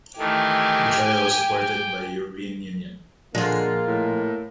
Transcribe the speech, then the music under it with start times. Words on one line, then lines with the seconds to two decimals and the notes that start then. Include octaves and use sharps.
The trial was supported by European Union.
0.18 D#3 E3 A3 G4 G#5
1.05 G5
1.59 G5
3.35 A#2 D3 F3 G#3 A#3 F4
3.87 A2